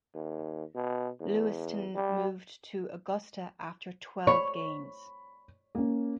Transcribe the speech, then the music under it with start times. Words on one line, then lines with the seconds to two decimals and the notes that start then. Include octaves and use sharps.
Lewiston moved to Augusta after twelve games.
0.15 D#2
0.75 B2
1.20 E2
1.95 G3
4.27 C#5 B5
5.75 A#3 C#4